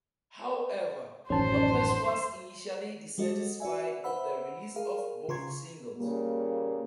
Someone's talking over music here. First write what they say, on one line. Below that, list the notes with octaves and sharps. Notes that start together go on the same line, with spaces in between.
However, Lopez was initially dissatisfied with the release of both singles.
A1 F#2 D#3 C#4 C5 A5
G3 G#3 F#4 A4 D#5
F#4 D5 E5 G#5
B4 C5 E5 F#5 B5 E6
G#4 A#4 F5
C#3 F4 A#5 C6 C#6 G#6
A#2 C#3 G3 A#3